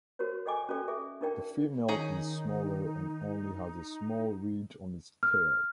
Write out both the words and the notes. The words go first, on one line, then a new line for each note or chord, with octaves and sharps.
The female is smaller and only has a small ridge on its tail.
F#4 A#4 C5 C#5
A4 D5 D#5 G5 G#5 D6
C#4 F#4 A4 D5
G#4 A4 E5
D4 D#4 A#4 D5 G5
D#3 C#4 D#4 G#4 A#5
F6